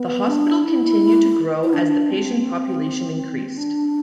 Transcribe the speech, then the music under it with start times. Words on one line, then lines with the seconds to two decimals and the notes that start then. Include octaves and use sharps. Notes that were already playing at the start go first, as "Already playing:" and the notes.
The hospital continued to grow as the patient population increased.
Already playing: B3
0.28 D4
0.64 E4
1.64 E4
1.73 D4
2.10 C4
3.58 D4